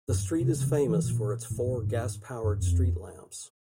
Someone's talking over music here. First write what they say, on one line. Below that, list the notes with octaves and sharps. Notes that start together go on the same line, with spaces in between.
The street is famous for its four gas-powered street lamps.
G2
C3
C#3
C#3
E3
A#2
A2
A2
G#2
G2
F2